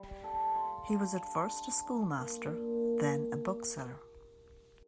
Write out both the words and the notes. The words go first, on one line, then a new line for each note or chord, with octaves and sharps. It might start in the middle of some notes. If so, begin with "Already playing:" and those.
He was at first a schoolmaster, then a bookseller.
Already playing: G3
A4
F4
D4
G3
A4
D4
A#3
A#2